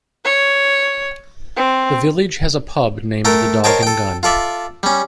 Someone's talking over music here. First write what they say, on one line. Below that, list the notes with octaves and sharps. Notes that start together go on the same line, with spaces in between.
The village has a pub named The Dog and Gun.
C#5
C4
A3 A4 A#4 G5
A#4 C5 C#5 D#5 G5 A5
A4 G5
F4 A4 D5 E5
G3 C#4